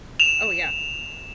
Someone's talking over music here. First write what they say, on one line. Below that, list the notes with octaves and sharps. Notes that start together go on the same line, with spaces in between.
Oh yeah.
E7 F7